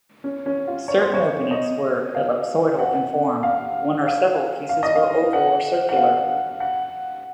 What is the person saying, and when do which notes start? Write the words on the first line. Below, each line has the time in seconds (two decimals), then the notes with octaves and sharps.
Certain openings were ellipsoidal in form, one or several pieces were oval or circular.
0.24 C#4
0.46 C#4
0.67 F4
0.88 C#5
1.01 C5
1.14 C#5
1.51 D#5
2.15 F5
2.79 F#5
3.43 F5
4.07 F5
4.69 F5
4.83 D#5
4.96 F5
5.33 F#5
5.89 F#5
5.96 F5
6.60 F#5